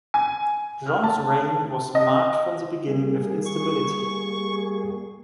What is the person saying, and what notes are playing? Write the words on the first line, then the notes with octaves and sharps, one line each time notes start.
John's reign was marked from the beginning with instability.
G#5
F6
A5
D#5
G3 A#3 G#4
C#6